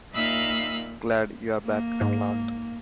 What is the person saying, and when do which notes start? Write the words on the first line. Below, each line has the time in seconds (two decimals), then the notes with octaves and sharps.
Glad you're back at last.
0.13 A#2 D#4 E5 F5 B5 E6
1.65 A#3
2.01 G#2